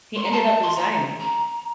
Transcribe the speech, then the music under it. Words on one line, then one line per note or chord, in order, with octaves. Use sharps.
he ended up resigning.
C6
A#5
A5
C6
A#5
A#5